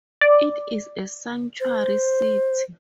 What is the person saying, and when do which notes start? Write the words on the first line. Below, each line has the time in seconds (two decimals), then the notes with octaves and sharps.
It is a sanctuary city.
0.21 D5
1.60 C5